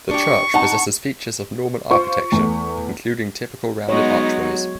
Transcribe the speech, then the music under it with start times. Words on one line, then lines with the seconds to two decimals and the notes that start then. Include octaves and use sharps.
The church possesses features of Norman architecture, including typical rounded archways.
0.11 D4 G4 C#6
0.54 D#4 F#5 A5
1.91 F4 C5 C#6
2.32 E2 A3
3.89 F#3 G#3 B3 D#4 C#5